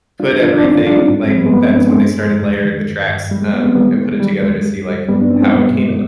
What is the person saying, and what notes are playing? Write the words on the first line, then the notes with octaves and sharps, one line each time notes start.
put everything like, that's when they started layering the tracks, um, and put it together to see, like, how it came out.
G3 D4 F4
D#3 D4 F4
D4
D#3 C4 D#4
D4 F4
G3 D4 F4
C4 D#4
G#2
G#3 C4
F3
G3 B3
G#3
G2 G3 B3
G#3 C4
G2 B3 D4
G#3 C4
G#2 G#3
G#2 G#3
F2
D#3
G2
G2
G3
G#3
G3 B3
G#3 C4
D#3 G3 B3
G3 G#3
D#3 G3
F2 G#3
G3
G3
G2 G3 B3
B3 D4
G2 C4 D#4
G#3 C4
B2 G3 B3
G3 G#3